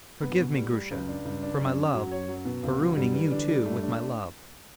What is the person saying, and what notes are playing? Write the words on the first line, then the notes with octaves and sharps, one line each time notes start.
"Forgive me, Grusha, for my love, for ruining you, too, with my love."
G2 B3
B2
A2 G3
G3
C#2 F#2
D4
C#2 G2
D4
F#2 C#4
C#4
F#2 F#3
C#5
F#3
B2
C#2
F#3
G2 G3
E3
D3 D4
G3
G2 A3
D4